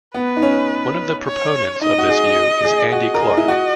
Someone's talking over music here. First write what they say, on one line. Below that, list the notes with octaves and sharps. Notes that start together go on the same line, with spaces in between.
One of the proponents of this view is Andy Clark.
B3 B4
D#4
C#4
C#5
D#4 D#5
F#4
G#4
G#4
F#4 D#5
A#4
G#4
E4
F#4